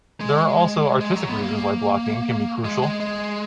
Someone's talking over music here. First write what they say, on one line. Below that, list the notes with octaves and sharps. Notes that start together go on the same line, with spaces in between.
There are also artistic reasons why blocking can be crucial.
G#3
G#3
F#3
B3
A#3
G#3
G#3
G#3